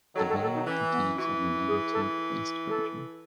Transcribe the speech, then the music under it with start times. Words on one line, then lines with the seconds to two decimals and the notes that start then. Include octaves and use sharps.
Development continues on a nanotube based version.
0.15 D#3 F#3 A4
0.29 A4
0.41 A4
0.54 D#4
0.67 E3 C#4
0.91 B3
1.17 E3 F#4
1.67 G#4
1.92 A4
2.69 A4